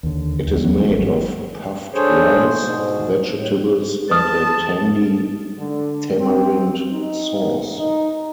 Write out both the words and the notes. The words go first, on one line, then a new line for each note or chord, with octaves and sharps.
It is made of puffed rice, vegetables and a tangy tamarind sauce.
D#2 D3
D#2
E2 E3 F#3 B3
G#1 F#3 A3
D4 G#4 A4 C5 C#5
G#2 B2
A2
B4 A5 D#6
D3
C4
D#4
D#4